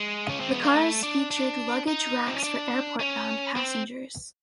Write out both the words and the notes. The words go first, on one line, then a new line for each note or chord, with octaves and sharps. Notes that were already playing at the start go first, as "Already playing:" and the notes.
The cars featured luggage racks for airport-bound passengers.
Already playing: G#3
C#4
C4
B3
A#3
A3
D4
D4
D#4
C4
C#4
D4
C#4
C4